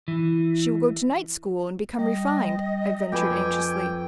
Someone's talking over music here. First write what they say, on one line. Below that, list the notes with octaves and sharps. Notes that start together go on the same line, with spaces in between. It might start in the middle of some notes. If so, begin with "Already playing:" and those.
"She will go to night school and become refined?" I ventured anxiously.
E3
G3 D#5
F2 B4 G5 G#5 D6